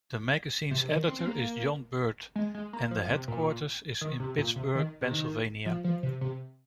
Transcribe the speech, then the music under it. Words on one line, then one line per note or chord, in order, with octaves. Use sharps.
The magazine's editor is John Burtt and the headquarters is in Pittsburgh, Pennsylvania.
C3
D#3
C4
C4
A#3
G#3
G#3
A#3
F3
C3
A#2
D#3
C3
A#2
C3
D#3
C3
D#3
F3
F3
C3
C3